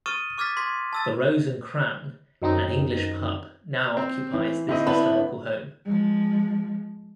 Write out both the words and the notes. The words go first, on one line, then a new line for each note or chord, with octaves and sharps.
The Rose and Crown, an English Pub, now occupies this historical home.
C#6 D#6 F6 A6 D#7 E7
C#6 D6 F6 G#6 A6 B6
C6 G#6 B6
A5 E6 A6
F#2 D#3 C4 D#4
C4
E3
D3 C4 E4 D#5
B3 D4 E4 B5
F3 G#3